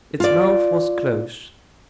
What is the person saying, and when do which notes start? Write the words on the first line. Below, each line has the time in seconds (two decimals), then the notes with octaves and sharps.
Its mouth was closed.
0.20 F4 D5